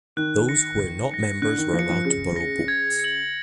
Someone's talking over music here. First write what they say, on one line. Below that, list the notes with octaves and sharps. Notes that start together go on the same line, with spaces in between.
Those who were not members were allowed to borrow books.
D#3 F#6
A#6 C#7
F#6
A#6 C#7
D3 F#6
D#3
F3 A#6
C#7
F3
C#3 F#6
A#6 C#7
G#6
C#7 F#7